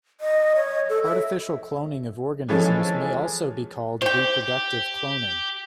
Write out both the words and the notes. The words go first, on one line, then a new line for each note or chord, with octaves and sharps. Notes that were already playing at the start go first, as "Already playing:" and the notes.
Artificial cloning of organisms may also be called "reproductive cloning".
D#5
C#5
A4
E5
E3 F3 G#3 C#4 A4
G4 C5 G5